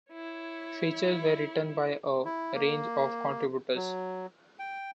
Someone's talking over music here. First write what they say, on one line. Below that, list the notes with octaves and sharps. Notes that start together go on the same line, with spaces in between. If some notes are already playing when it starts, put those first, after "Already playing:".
Features were written by a range of contributors.
E4 C#5
E4
A#3
F#3
G5